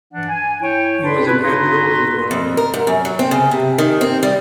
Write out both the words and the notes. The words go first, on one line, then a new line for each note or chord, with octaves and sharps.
He was an admiral in the Royal Navy.
E3 D4 F#5
G#5
E4 C#5 G5
B4 D5 A5 B5 C6
E4 F4 G#4 B4
D#4 F#4 G#4 B4 A#5 C6
F2
A#4
G#2
F#2
F#3
C4
C#3
C3
D#3
C4
G3